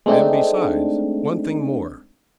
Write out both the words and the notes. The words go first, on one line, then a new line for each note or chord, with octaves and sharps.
And besides--one thing more!
G#3 A3 C4 D4 D#4